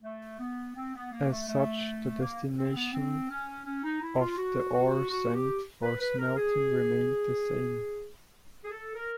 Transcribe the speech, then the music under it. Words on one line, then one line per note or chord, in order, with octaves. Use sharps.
As such, the destination of the ore sent for smelting remained the same.
A3
B3
C4
B3
A#3
A3
A3
A#3
C4
B3
C4
C#4
C#4
D#4
E4
F4
F#4
F#4
F#4
G4
B4
B4
A#4
G#4
G#4
A4
A#4